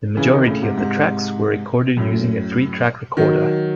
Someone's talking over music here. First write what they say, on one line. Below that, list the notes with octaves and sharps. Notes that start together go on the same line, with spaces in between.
The majority of the tracks were recorded using a three-track recorder.
C#3 E3
C3 D#3
A2 C#3
G#2 C3
G#2 C3
F#2 A2
D#3 F#3